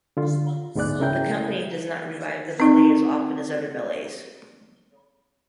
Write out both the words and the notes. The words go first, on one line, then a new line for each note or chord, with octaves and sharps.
The company does not revive the ballet as often as other ballets.
D3 F4
D2 G#2 G#3 B3 D5 F#6
C#3 E4 A#4 G5 G6
C4 D#4